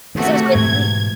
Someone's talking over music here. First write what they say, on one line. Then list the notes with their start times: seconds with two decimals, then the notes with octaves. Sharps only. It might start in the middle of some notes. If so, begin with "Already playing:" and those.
'cause it was quite le
0.15 C3 D#3 A3 F#4
0.55 G#2 B2 E3 G#6